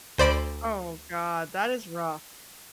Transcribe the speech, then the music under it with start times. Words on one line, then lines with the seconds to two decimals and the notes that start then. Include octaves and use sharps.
Oh god, that is rough.
0.18 D2 C5 D5 B5 D7